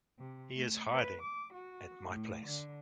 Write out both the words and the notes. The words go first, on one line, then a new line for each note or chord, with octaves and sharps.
He is hiding at my place.
C3
A3
B4
D6
F#4
A2
D3